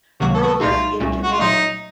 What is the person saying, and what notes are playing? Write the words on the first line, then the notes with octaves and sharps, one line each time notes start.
Broberg in command.
C#2 C3 D#3 F#3 A#3 F#4
A4
F#4
A4
C2 A#2 A3 D#4 F4 F#4
C2 A#2 A3 C#4 F#4
F#4
F4
A#2 F#3 A3 D#4